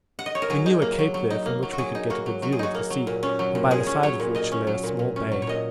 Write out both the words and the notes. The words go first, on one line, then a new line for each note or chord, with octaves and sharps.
We knew a cape there from which we could get a good view of the sea, and by the side of which lay a small bay.
F#5
D#5
C#5
A#4
F#3 G#4
D#4
A#3
F#3
F#3
D#4
A#3
F#3
F#4
F#3 G#4
D#4
A#3 F#4
F#3
F#3 F#4
G#4
D#4 F#4
A#3
F#3
A#2
C#4
F#3
A#2
A#2 G#4
C#4
F#3 C#5
A#2
A#2 D#5
C#4
F#3
A#2
A#2
C#4
F#3
C#5
A#2 D#5